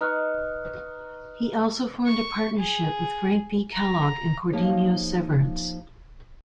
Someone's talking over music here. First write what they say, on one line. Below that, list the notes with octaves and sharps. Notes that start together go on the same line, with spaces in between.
He also formed a partnership with Frank B. Kellogg and Cordenio Severance.
D#4 B4 C#6 F6 F#6
C#6
G#4
A#5
F3 A#3 D#4 G4 C5 C#5